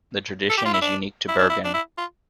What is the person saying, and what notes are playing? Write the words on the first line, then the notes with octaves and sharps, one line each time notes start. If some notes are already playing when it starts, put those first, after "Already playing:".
The tradition is unique to Bergen.
A4
G4
F4
E4
D4
E4
D4
E4
D4
E4
F4